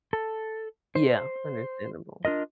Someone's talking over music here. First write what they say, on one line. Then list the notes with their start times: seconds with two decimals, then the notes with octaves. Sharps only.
Yeah, understandable.
0.13 A4
0.95 C5
2.25 D4 F4 A#4 D#5